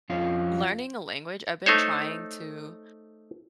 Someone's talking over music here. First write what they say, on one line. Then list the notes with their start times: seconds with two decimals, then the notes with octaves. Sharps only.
learning a language, I've been trying to
0.10 F2 C#4 F4
1.66 A3 D#4 C5 C#5